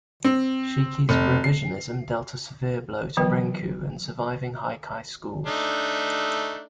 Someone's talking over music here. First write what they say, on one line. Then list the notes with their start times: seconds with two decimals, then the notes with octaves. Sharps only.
Shiki's revisionism dealt a severe blow to renku and surviving haikai schools.
0.24 C4
1.09 F1
1.44 C7
3.17 D3 E3 F#3 B3 B4 G5
5.47 A3 D4 D#4